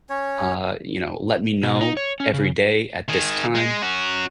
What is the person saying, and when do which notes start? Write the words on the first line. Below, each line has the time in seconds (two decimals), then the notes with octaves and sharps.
uh, you know, let me know every day at this time
0.10 C#4 C#5
1.63 B2
1.81 D#4
1.97 C#5
2.20 C#4
2.34 C#3
3.09 D#3 G#4
3.55 G#3
3.82 C#4 F#4